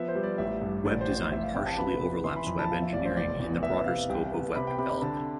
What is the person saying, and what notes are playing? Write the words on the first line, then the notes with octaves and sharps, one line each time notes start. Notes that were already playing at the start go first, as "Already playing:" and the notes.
Web design partially overlaps web engineering in the broader scope of web development.
Already playing: F3 B3 E5
C5
G3
D5
A1 E5
G2
A1 D5
C5
A1
C5
D5
F1 E5
F5
C3 G5
A5
B3 B5
B3
E3 C6
B5
F2 B5
A5
F3 F5
E5
A1 D5
C5
F1 D5
E2
B3 E5
C3 F5
C2 G5
B3
C3 B5
G5
C3 B5
B5
D3 A5